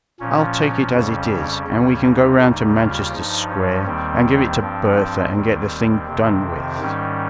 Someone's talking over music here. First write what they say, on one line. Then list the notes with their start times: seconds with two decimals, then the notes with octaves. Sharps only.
I'll take it as it is, and we can go round to Manchester Square and give it to Bertha, and get the thing done with.
0.20 A#2 F3 C#4
0.93 F2 C#3 G3 C#4
1.67 D#2 C#3 G3
2.03 D#4
2.40 D#2 C#3 G3
2.77 F4
3.13 G2 F3 D#4
3.51 C#4
3.86 D#2 D#3 G3 C4
4.60 G2 F3 C4
5.33 D#2 D#3 G3 C4
6.07 F2 C3 D#3
6.79 G#2 D#3 G3 C#4